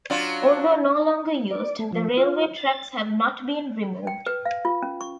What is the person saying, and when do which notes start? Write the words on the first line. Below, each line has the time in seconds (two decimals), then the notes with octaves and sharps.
Although no longer used, the railway tracks have not been removed.
0.10 F#3 D4 F4
1.51 D5
1.79 A3
1.92 F3
2.17 F4
2.57 A6
4.07 G5
4.26 B4
4.45 F5
4.65 F4
4.83 C#4
5.01 C#6